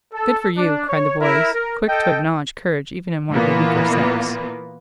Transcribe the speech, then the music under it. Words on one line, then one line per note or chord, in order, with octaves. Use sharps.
"Good for you," cried the boys, quick to acknowledge courage even in one of the weaker sex.
A4
D4
C#5
E4 A#4
A#4
A4 D#5 G5
A#2 E3 A#3 B3 F4